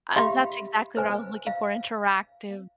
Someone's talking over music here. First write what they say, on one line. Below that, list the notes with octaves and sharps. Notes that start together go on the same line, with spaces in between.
Uh, that's exactly what I was looking for, interactive
G4 E5 F5 B5 C6
B4 C5 G#5
F5